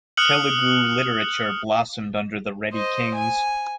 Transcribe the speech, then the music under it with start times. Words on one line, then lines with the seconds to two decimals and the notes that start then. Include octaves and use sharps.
Telugu literature blossomed under the Reddy kings.
0.17 D#6 F6 F#6 C#7 F#7
2.74 C5 D#5
3.15 G#5